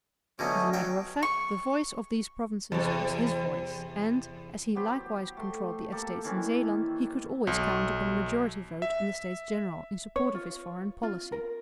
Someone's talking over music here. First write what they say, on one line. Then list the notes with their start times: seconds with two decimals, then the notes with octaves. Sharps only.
As a matter of fact, the voice of these provinces was his voice; and, as he likewise controlled the Estates in Zeeland, he could always count upon a majority vote in the States-General in support of his foreign policy.
0.39 B2 D3 F#3 A3 C#4 D#5
0.73 F#3 G5
1.23 C#6
2.72 E2 C3
4.75 F#3 B3 G4 C5
5.37 A3 C6
5.92 A#3 G4 A4
6.24 D#3 E3 C4 C#4
7.47 B1
8.82 E5
10.16 C#5
10.35 F4
11.03 F4
11.32 A#4